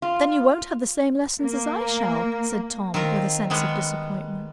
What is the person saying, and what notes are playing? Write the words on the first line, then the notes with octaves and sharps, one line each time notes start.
"Then you won't have the same lessons as I shall?" said Tom, with a sense of disappointment.
F4
A#3
D#3 C4 F4 A#4
D#3 G3 G#3 B3